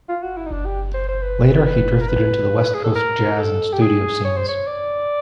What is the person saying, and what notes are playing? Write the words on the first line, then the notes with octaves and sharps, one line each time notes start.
Later, he drifted into the "West Coast Jazz" and studio scenes.
F4
F#4
E4
D#4
D4
G4
C5
C5
B4
B4
A#4
B4
G#4
A4
A#4
A4
G4
G#4
C#5
C5
C#5
D5